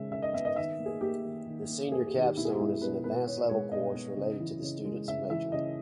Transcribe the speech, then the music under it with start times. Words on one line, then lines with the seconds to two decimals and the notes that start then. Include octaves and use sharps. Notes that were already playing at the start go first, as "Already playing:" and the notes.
The Senior Capstone is an advanced-level course related to the student's major.
Already playing: C#3 G#3 E5
0.11 C#3 E5
0.22 D#5
0.33 B3 E5
0.45 D#5
0.56 D#3 E5
0.79 A#3
0.86 G#4
1.01 A#3 G4
1.25 D#3
1.47 D#3
1.69 A#3
1.92 A#3 G#4
2.07 G4
2.15 D#3
2.22 G4
2.37 B2 E4
2.45 G#4
2.53 G4
2.60 G#3 E4
2.82 B2 B4
3.04 B3 B4
3.27 B2 C#5
3.49 G#3 C#5
3.72 B2 D#5
3.94 B3
4.17 C#3
4.40 E3
4.62 C#3
4.85 G#3
5.08 C#3 E5
5.30 E3 E5
5.52 C#3 D#5